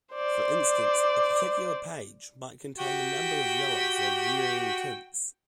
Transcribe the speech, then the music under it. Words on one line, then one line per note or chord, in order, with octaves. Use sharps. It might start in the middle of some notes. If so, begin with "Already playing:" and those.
For instance, a particular "page" might contain a number of yellows of varying tints.
C5 D5
F#4 G4 G5